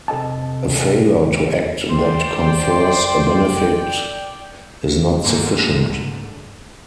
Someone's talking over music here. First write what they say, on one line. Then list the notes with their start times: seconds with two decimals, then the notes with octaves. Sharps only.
A failure to act that confers a benefit is not sufficient.
0.08 C3 A4 D#5 A5
1.90 C5 D5 G5
5.24 G#2 D3 A3 A#3